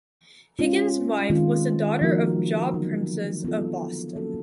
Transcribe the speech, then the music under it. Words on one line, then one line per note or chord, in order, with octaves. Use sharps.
Higgins wife was the daughter of Job Princes of Boston.
G#3 C#4 F4
D#3 G#3 C4 F4
F3 A#3 D#4 F#4 A#4
D3 F#3 B3 D#4
F#3 B3 D4 F4 A4
F#3 A#3 C#4 F#4 A4